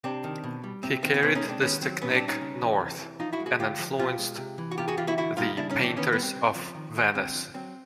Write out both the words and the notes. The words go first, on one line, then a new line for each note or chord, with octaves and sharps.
He carried this technique north and influenced the painters of Venice.
C3 C4 D4
D#3
B2
G3
C3 C4
D#3 C4
C4
B2 B3 C#4
C#4 D#4
G#3
C4 D4
D#3 B3 C#4
F#3 C4
A#2 B3 C#4
D#4
C4 D4
G3
C#4 D#4
C#3
E3
C3
E3
F3 D#4 F4
E4 F#4
G#3
F#4 G#4
D3 F4 G4
F3
B2 F4 G4
G#3
C3
E3
F#4
C3 F4 G4
F#4 G#4
E3 F4 G4
E4 F#4
D3 E4 F#4
G3 D#4 F4
C#3 D4 E4
C#4 D#4
E3
C4 D4
D#3 B3 C#4
G3 B3
C4
C#3
F3
D#3
G#3
D3 C4
F3
F#3 C4